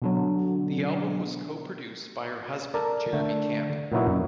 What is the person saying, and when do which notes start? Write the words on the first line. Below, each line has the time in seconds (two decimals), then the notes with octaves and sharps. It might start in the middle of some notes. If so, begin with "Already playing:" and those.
The album was co-produced by her husband Jeremy Camp.
0.02 B2 D3 F#3
2.74 A4 A#4 D5
3.13 D3 A3
3.92 A#2 F#3 B3 D#4 E4 F#4
4.07 F#2